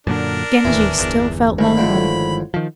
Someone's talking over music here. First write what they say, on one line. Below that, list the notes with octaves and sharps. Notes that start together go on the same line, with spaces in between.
Genji still felt lonely.
F#2 A#2 D3 D4 A#4
D1 D#2 E3
G1 E2
G1 C2 D#3 G#3 B5
F2 A2 D3
D#3 F3